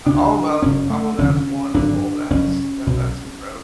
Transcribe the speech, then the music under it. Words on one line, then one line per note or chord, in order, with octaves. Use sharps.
Uh, oh, well oh, well that's wonderful. That's that that's incredible.
D2 C#3 D4
F#1 F#2 C#3 C#4
A3
F1 F2 D3 C#4
G#1 F#2 D3 D4
F#1 F2 C#3 C#4
B1 B2